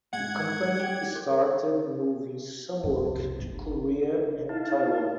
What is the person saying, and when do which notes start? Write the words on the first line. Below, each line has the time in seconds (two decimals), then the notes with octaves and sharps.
The company started moving some work to Korea and Taiwan.
0.13 G#2 F#5 G#6
0.80 G4
1.16 A#4
2.83 F2 A#2
3.05 C2
3.39 G1
4.49 D#4 E4 F5 A5